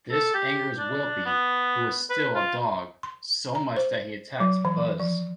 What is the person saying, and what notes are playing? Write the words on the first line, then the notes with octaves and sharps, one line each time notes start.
This angers Wilby, who is still a dog, so much that he attacks Buzz.
A4
G4
D4
B3
B4
F4
C6
A#5
C5
F#3
E3
F3